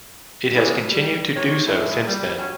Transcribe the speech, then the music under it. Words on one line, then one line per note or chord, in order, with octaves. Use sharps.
It has continued to do so since then.
A2 E3 F#3 C4 G4 G#4
G3
C3 D#3 E3 C#5
A2 G#3 E4
G3
G2 F#3 C#4